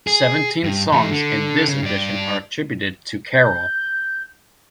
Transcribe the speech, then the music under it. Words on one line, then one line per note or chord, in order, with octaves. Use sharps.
Seventeen songs in this edition are attributed to Carrell.
G#4
G2
E3 A3
D3
C#3
G2 D5
G6